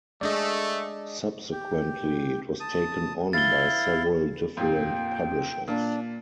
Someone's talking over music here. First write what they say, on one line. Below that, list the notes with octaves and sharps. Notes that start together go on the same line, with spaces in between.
Subsequently, it was taken on by several different Publishers.
G#3 A3 D4 G#4 D5 D#5
G4
A5 D#6
E4 F5 A6 G7
F2 A#2 G5
A#2 D4